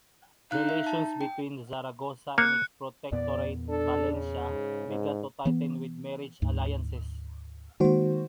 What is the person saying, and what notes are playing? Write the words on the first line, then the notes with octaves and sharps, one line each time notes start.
Relations between Zaragoza and its protectorate, València, began to tighten with marriage alliances.
D#4 F5 F#6
E5
A5
G5
A#3 F#6 C#7
E2 A#2 B3 D5
D4 A4
C#3
G#2
G#2
E3 B3
D2 G#2
D#3 G#3 A#3 F#4 C5